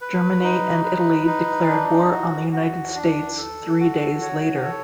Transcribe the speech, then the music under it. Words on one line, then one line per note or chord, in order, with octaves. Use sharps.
Germany and Italy declared war on the United States three days later.
B4
D#4
B4
D#4
D4
F#4
F#4
D4
A4
F#4
C#5
A4